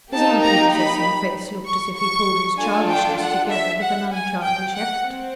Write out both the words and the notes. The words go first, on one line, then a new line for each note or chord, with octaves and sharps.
His unprepossessing face looked as if he pulled his childishness together with an unchildish effort.
A#3 D#4 G4 A5
A#5
B5
C#6
C#6
D4 F4 A4 G#5
G5
F#5
E5
F#5
G#5
G5
F#5
C4